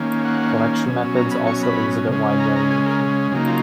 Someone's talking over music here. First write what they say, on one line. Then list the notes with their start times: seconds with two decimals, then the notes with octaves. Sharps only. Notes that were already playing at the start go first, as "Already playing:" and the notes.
Collection methods also exhibit wide variation.
Already playing: D#3 A#3 C#4
0.25 F#5
0.86 B2 F#3 C#4
1.16 A#5
1.31 B5
1.47 C#6
1.63 B5
2.09 C#3 G#3 C#4
2.40 A#5
2.56 A#5
2.71 G#5
2.86 A#4
3.32 C#3 F#3 A#3 D#4 G#4
3.47 F4